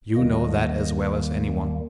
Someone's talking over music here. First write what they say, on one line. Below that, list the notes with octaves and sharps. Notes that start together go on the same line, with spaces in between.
You know that as well as any one.
D#2 D#3 G3 A#3 D#5